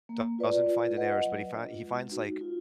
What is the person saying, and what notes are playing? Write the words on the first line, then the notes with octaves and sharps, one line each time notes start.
d doesn't find Daenerys, but he find he finds, like,
A#3
F4 B4 D5
F4
B4 D#5 F#5
F#3
D4 F4
G#3
D#4 F#4
F4